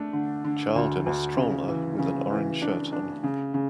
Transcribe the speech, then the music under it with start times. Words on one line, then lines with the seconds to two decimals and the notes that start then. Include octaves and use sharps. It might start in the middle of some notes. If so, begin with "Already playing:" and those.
Child in a stroller with an orange shirt on.
Already playing: A3 D4
0.13 D3
0.44 D3
0.76 D2
1.06 D2
1.37 C#3
1.68 E3
1.99 C#3
2.30 E3
2.62 D4
2.92 D4
3.23 C#3
3.54 C#3